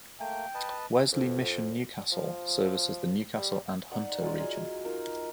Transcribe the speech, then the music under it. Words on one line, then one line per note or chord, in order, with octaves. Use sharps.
Wesley Mission Newcastle services the Newcastle and Hunter region.
A3 A#3 G5
B4 D#5 A5
F2
F3
G3
D#4 D5 F#5
F#3 G#3 F4
D#5 G#5 C6
D#4 F4 A#4